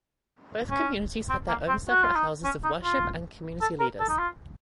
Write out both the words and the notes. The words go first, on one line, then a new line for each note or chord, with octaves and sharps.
Both communities had their own separate houses of worship and community leaders.
C#4
C4
A#3
C4
F#4
F4
D#4
C#4
D#4
F4
A4
A#4
A4
D#4
F4